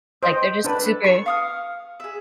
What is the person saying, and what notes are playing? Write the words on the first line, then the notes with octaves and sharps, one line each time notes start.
like, they're just super
C5 D#5 G5
D4 A4 B4
C#6
F5 D#6 F6
G#4 E5